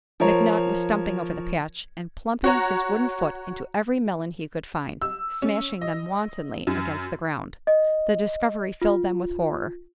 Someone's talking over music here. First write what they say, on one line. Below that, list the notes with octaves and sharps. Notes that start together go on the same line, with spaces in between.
McNutt was stumping over the patch and plumping his wooden foot into every melon he could find, smashing them wantonly against the ground. The discovery filled them with horror.
F3 A#4 C#5
F#4 C#5 A#5
E6
C#4
D#5
F#2
D#5
F4